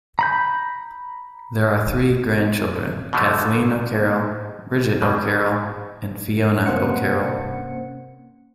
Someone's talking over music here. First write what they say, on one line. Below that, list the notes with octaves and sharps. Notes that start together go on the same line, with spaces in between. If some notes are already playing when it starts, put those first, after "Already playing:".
There are three grand children, Kathleen O'Carroll, Bridget O'Carroll and Fiona O'Carroll.
A#5 B5 G6
B2 D3 F3 F#3 A3
B2 G3 G#3
C3 A#3 C#4 C5 F#5 C#7